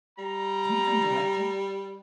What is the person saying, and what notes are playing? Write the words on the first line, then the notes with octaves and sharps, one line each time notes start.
Can you come directly?'
G3 A#5